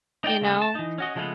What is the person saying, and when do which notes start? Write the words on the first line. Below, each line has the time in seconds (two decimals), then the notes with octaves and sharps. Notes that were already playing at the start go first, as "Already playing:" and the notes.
you know?
0.24 D#4 D5 G5
0.41 C#3 A3 B3
0.62 A5
0.75 E3 D#4
0.98 C#4 F#4 D#5
1.15 C#3 F3 G#3 A3 B3